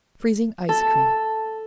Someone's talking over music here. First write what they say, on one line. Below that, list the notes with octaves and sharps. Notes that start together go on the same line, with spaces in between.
Freezing Ice Cream.
A4